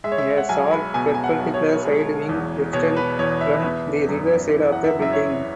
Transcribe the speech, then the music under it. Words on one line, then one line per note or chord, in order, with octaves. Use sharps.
A short perpendicular side wing extends from the rear side of the building.
G#3 E5
C#5
E5
F#5
B1 G#5
B5
B2 G#5
G#5
F#5
B1
C#5
G#3
E2
B2 C#5
B4
E2 C#5
E5
B3
F#2
E3
F#5
E5
F#2 E5
C#5